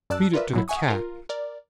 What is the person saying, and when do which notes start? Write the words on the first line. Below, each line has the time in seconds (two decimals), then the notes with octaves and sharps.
"Feed it to the cat."
0.10 F#2 D5 A5 E6 F#6
0.33 F4 A#4 B4 D5 E5
0.53 G#2 F#3 E4
0.68 E5 F#5 G#5 C#6 D#6
0.88 F4 A#4
1.29 A#4 D5